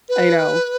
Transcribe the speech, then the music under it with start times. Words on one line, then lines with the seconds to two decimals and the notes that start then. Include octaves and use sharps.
I know.
0.09 B4